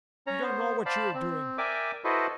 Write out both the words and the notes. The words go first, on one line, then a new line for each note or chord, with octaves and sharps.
You don't know what you are doing.
C#4 C#5 A#5
B3 C5
C5 D5 F5 A5 B5
C4
A#4 D5 E5 G5 G#5 D6
E4 F#4 A4 B4 C5 D#5